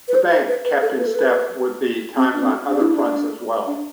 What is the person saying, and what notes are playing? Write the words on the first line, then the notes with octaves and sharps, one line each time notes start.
The bank kept in step with the times on other fronts as well.
B4
C5
C5
B4
B4
A4
B4
A4
B4
C4
D4
C4
D4
E4
D4
D4